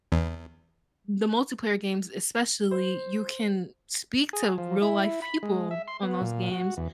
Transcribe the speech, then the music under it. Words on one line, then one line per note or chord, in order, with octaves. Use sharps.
the multiplayer games, especially, you can speak to real life people on those games,
E2
C5
G#4
F3
E4
B5
G#3
E5
C6
B3
A#2
F#4
E2